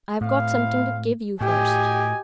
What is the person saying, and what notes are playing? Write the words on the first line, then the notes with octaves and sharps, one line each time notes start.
I've got something to give you first.
A2 C4 E4 F5
A2 F#4 G4 D#5 G#5